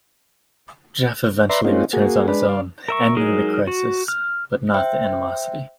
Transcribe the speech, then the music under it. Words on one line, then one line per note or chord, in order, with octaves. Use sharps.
Jeff eventually returns on his own, ending the crisis, but not the animosity.
B4 D5 E5 A#5 C6
G#3 A#3 C4 C#4 D#4 F4
A#3 F#4 G#4
G#3 D4 B4
D5 F5
A#4 E5 C#6
F#3 G#3 D#4 G#4 A#4
F#4
F6
C5 E5 G5